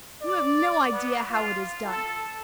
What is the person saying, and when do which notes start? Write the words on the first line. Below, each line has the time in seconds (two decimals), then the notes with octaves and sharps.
'You have no idea how it is done.
0.21 D5
0.92 B3
1.30 F4
1.84 A4